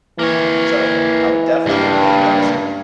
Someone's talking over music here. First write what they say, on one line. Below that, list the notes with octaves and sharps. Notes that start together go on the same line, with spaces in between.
so I would definitely get paid less,
E3 A#3 C#5
C#2 G2 A#3